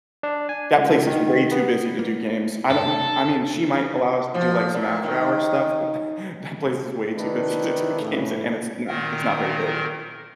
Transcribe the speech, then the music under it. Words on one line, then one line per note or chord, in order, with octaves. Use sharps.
That place is way too busy to do games. I don't kn I mean, she might allow us to do, like, some after hours stuff, but tha that place is way too busy to do games, an and it's not it's not very big.
D4
G#5
C#2
D#3
B3
A#3
F#2 C3 A4
F3
A#2
D#3
C3 D#3 D4 E4 A4 B4
A2 C#3
A#2 D#3 A#4